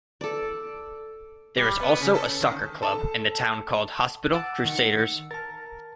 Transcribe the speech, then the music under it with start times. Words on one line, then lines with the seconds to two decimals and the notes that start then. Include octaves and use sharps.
There is also a soccer club in the town called Hospital Crusaders.
0.21 A4 D5
1.57 G3
1.80 B3
2.01 C#3
2.14 A4
2.41 D#3
2.82 A4 A5
4.33 F#5 A5 D6 E6 F#6
4.65 D#3 C#7
5.31 A#4 A5 A6